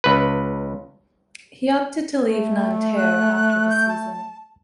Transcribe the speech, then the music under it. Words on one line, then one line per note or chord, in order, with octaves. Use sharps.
He opted to leave Nanterre after the season.
C#2 B4
A3
F#6
G6
A5